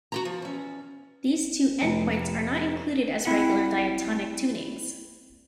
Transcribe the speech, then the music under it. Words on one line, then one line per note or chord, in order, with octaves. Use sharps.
These two end points are not included as regular diatonic tunings.
F#4 G4 A#5
F3
E2 C#4
F1 C#7
C4 E4 E5 F#5